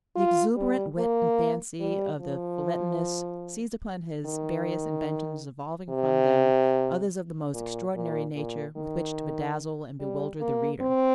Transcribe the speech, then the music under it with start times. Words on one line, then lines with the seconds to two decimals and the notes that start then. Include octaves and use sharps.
The exuberant wit and fancy of the feuilletonists seized upon his various inventions evolving from them others of the most extraordinary nature with which to bedazzle and bewilder the reader.
0.15 F4
0.56 G3
0.98 A#3
1.80 G3
2.20 F3
4.26 D#3
5.89 C3
7.53 A#2
7.95 A#2
8.35 A#2
8.76 D#3
10.00 G3
10.41 A#3
10.82 C4